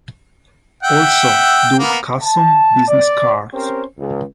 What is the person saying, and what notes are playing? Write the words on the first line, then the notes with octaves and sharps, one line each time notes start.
Also do custom business cards.
E5 F#5 G5
A#3 B3 A#4
A5
D5
C4 C#4 G4 A#4 C5
C#2